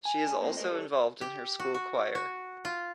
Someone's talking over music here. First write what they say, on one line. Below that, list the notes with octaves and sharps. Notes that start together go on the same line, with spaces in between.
She is also involved in her school choir.
G#5
D#2 G#2 D4 G#5
F2 A#2 F3 G#3 C4
A3 G#4 A#4 C5 D#5
G3 A4 C5 C#5
G4
F#4
F#4
F#4
F4